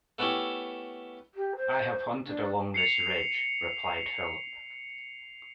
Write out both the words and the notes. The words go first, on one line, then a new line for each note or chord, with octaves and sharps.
I have hunted along this ridge, replied Philip.
A3 B3 C#4 E4 G4
G4
C5
D4
C7 C#7 F7